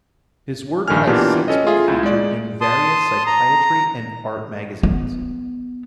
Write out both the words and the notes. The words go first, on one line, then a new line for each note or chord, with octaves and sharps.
His work has since been featured in various psychiatry and art magazines.
A#1 G2 D#3 A3 G#5 F6
B2 E3 A#3 D4 F4 G4
C#4 A4 D#5
F4 G#4 E5 G#5
C#2 E4
G#3 D5
A5 C6 D#6
A#5
B3